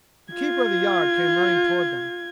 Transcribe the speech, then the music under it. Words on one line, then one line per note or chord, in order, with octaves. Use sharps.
The keeper of the yard came running toward them.
F4 G#6